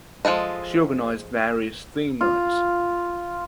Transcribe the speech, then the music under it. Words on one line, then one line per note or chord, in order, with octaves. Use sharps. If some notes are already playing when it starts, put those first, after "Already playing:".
She organized various theme nights.
F3 G#3 A4 D#5
F4